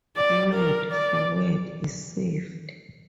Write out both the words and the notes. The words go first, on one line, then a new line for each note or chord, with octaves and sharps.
Word for word is saved.
D5
A#4
D5